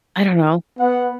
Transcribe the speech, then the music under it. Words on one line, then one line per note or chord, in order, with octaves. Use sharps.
I don't know.
B3 F#5